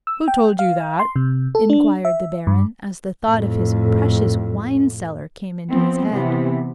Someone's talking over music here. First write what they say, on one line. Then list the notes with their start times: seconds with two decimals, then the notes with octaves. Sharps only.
"Who told you that?" inquired the Baron, as the thought of his precious wine-cellar came into his head.
0.07 E6
0.28 G5
0.59 F5
0.99 C6
1.16 C3
1.55 A4
1.70 D4
2.05 E5
2.47 G2
3.27 F2 A2
5.70 F3 B3 C4
6.10 C3 E3 B3